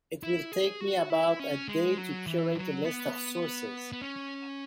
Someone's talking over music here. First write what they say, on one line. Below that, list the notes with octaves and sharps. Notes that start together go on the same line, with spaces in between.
It will take me about a day to curate a list of sources.
E4
G#4
F#4
E4
C#4
G#3
F#3
E3
F#3
B3
B3
C#4